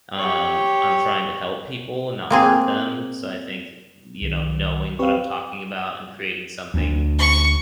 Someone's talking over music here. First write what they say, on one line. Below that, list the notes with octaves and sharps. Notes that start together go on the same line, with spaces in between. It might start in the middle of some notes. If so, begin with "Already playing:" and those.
um, I'm trying to help people and not hurt them, so, I think, you know, knowing what I'm talking about and creating something
G4 C#5
A#3 C4 G#4
C2 D#3
C4 G4 B4 F5 C#6
D2
C#6